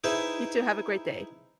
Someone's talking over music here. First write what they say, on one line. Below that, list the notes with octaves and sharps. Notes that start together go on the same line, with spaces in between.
You too, have a great day.
D#4 E4 G#4 B4 C5 E5